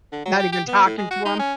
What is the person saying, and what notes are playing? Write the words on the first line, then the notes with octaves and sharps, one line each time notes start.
Not even talking to him?
D3
F#3
G4
G4
B3
A2
G#3
F#4
D#4
C#4